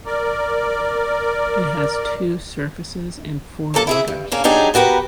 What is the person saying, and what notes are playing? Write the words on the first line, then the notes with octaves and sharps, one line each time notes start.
It has two surfaces and four borders.
A#4 D5
F#3 A#3 A4 A5
E4 G#4 E5
G2
C#3 A#3 C#4 D4
F#3 D4 D#4 G4 G#4
B3 F#4 G4 A#4 B4